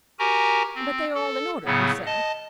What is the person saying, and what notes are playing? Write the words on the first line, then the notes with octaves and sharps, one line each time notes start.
"But they are all in order, you say?"
F#4 G4 A#4 G#5 A#5
C4
A4
A2 C#3 F#3 B3
D#5 A5